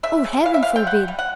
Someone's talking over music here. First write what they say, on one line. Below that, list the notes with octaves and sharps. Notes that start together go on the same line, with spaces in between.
Oh, heaven forbid!
C#3 E5
C#3
E3 F5
E5
F5
G#3
G5
G3 F#5
G3
F#5